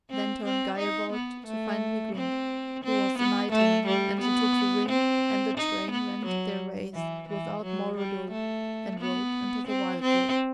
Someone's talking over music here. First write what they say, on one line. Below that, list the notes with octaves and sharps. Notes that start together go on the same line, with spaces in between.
Then turned Geirbald to find Viglund who was anigh to him, and he took the ring, and the twain went their ways without more ado, and rode into the wild-wood.
C4
C4
D#4
B3
A3
C4
C4
B3
A3
G3
B3
C4
D#4
B3
F#3
E3
E3
F#3
G3
A3
B3
C4
C4